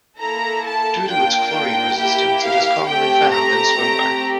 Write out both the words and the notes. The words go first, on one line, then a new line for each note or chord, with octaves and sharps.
Due to its chlorine resistance it is commonly found in swimwear.
A#3 E4 A4 A#5
A5
A#3 D4 F4 G5
A#3 E4 G4 G5
F5
A3 C4 G4 G5
A#5
A3 C4 G4